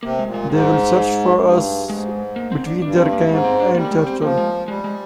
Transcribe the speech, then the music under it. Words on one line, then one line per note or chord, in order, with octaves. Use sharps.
They will search for us between their camp and Churchill.
C3 A#3
G#3
A#2
G#3
G#2 G#3
G3
G#3
G#3
G2
G#2 G#3
A#3
C4
D4
G2 D4
C4
A#3
G#2 G#3
C4
D4
G3 A#3
A#3
G#3
C4
F3 A#3
G#3
G3 G#3
G#3